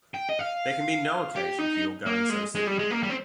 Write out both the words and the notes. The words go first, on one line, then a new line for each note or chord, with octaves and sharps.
There can be no occasion for your going so soon.
G5
D#5
F5
G4
D#4
A#3
G#3
G#3
G3
G#3
A#3
G3
C4